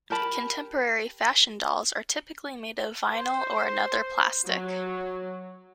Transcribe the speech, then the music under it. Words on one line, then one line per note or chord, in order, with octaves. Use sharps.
Contemporary fashion dolls are typically made of vinyl or another plastic.
G4 A#4 A5 B5
C5
F#3